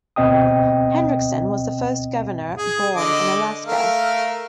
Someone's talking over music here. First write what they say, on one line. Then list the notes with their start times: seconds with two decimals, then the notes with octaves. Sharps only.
Hendrickson was the first governor born in Alaska.
0.16 D2 B2 C4 D#5 G5 D#6
2.58 G#4
2.96 D3 D#5 D6
3.66 A3 A#4 F5